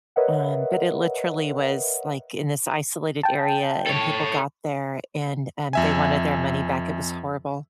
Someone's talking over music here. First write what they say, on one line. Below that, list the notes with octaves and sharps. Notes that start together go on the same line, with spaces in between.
Um, but it literally was, like, in this isolated area, and people got there, and, um, they wanted their money back. It was horrible.
A#4 B4 C#5 D#5 E5 F#5
G5 A5
A4 C#5
F2 E5 G#5